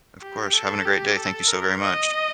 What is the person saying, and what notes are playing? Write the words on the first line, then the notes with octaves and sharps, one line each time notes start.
Of course having a great day thank you so very much.
G4
A4
G4
A4
A#4
D#5